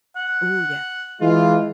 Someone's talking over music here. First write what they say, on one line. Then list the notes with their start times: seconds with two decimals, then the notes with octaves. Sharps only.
Ooh, yeah.
0.16 F#5
1.20 E3 G#3 F4